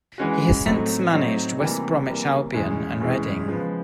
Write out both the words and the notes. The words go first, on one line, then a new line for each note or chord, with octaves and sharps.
He has since managed West Bromwich Albion and Reading.
E3 G#3 C#4 F#4
A2 F#3 A3 C4 D#4
A2 F#3 A3 C4 D#4
C3 E3 G3 A#3
C3 E3 G3 A#3
E2 B2 G#3 C#4 E4
E2 B2 G#3 C#4 E4
C#3 F3 G#3 B3